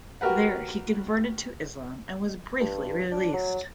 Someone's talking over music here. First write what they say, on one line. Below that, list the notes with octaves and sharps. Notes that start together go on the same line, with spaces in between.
There he converted to Islam and was briefly released.
F#4 G4 A#4 B4 F#5
G2
D4
F#3